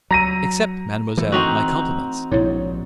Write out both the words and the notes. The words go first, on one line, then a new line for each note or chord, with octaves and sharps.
Accept, mademoiselle, my compliments.
F#3 A#5 A#6 D#7
E3 A3
C4 D#4 F#4
A#1 G#2 E4 C#5